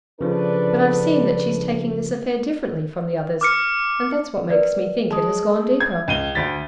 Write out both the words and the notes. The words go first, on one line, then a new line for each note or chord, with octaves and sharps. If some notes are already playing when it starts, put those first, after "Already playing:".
But I've seen that she's taking this affair differently from the others, and that's what makes me think it has gone deeper.
C#3 F3 D4 A4 B4
D6 F6 C#7
A#4 B4 D5
G#3 A5 D#6
G#6
C#2 D#7 G7
D2 A6 B6